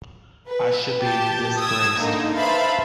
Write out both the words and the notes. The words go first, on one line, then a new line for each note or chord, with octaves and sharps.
I should be disgraced.
B4
G4 A5 G6
D#6 E6 G#6
D3 A#3 D#4
B4 C5 E5 F5 A5 B5